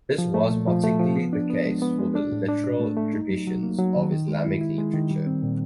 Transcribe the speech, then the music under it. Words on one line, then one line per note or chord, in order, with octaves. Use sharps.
This was particularly the case for the literary traditions of Islamic literature.
F3
A3
A#2
F3
A3
F3
B3
D4
B3
G#3
B3
G#3
D4
A2
D4
D4
A3
A3
D#4
F#3
F#3
A#3
F#3
D#3
D#3
G#3
E4
E4
G#3
D#3
G3
C4
A#2